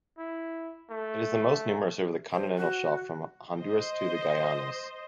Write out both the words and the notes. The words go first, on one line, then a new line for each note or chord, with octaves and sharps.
It is most numerous over the continental shelf from Honduras to the Guianas.
E4
A3
C5
F#4
C5 D#5